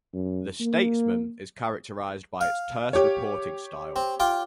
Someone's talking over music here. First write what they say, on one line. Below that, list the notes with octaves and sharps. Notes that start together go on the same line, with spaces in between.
"The Statesman" is characterized by its terse reporting style.
F#2
A#3
F5
G4 C#5
C4
F4 G5 D6